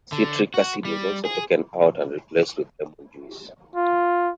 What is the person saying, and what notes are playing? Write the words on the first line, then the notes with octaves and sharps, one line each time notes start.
Citric acid was also taken out and replaced with lemon juice.
D3
F#4
G3
G#4
F4